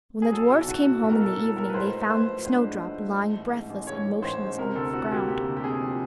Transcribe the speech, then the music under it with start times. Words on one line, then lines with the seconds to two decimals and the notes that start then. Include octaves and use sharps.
When the dwarfs came home in the evening, they found Snowdrop lying breathless and motionless on the ground.
0.22 G#4
0.32 F#3 A4
0.50 B1
0.68 B1 F#4
0.86 A2
1.03 B1
1.10 A#4
1.21 B1 A4
1.39 A2 A4
1.57 A2 A#4
1.69 B4
1.74 G#2 C5
1.92 A3
2.02 B4
2.10 A3 C5
2.27 F3
2.45 D4 C5
2.63 G#2
2.81 A3
2.98 G#2
3.16 A3
3.35 A1
3.52 G#2
3.70 A1
3.87 G#2 C#5
4.05 A1
4.22 A1 C5
4.40 G#2
4.58 C3 A#4
4.75 D2 A4
4.93 C3 F#4
5.11 A#3 G4
5.28 C3 G4
5.47 D2
5.57 G4
5.64 C3 G#4
5.82 F3